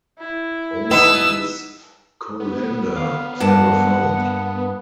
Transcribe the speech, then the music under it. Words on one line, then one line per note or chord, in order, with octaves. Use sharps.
Only his colander was ever found.
E4
B3 D#4 E6
B3
F5
G2 A#3 F#5 A5